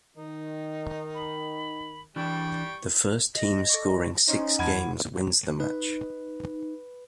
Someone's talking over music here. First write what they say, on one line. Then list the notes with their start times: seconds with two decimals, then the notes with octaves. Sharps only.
The first team scoring six games wins the match.
0.17 D#3 D#4
1.15 B5
2.16 E3 G3 D4 G5 C#6
3.35 D#5
3.69 A4 D5 C#6
4.28 C#4 D#4 C5 C#5 C6
4.59 E2 E3 F#5 A5 B5 G#6
5.60 D#4 B4